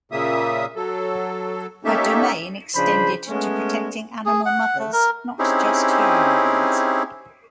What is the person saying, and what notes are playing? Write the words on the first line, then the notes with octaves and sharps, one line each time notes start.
Her domain extended to protecting animal mothers, not just human ones.
A#2 C#3 A#3 E5 D#6
F#3 A4
A#3 C#4 D#4 G4 A4 E5
C#3 F3 D4 G#4 C5 B5
G#3 A3 B3 C#4
G#4
F#5
A3
A#4
C4 C#4 D#4 E4 G4 G#4